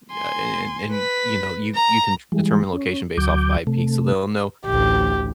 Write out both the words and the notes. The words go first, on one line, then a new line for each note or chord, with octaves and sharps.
a and and, you know, you you can determine location based off of IP, so they'll know
G#5 C6
B4 B6
A#5
E3 G3 G#3
C#4
D2 F#3 D6 G6
C3 A3
A1 D2 G4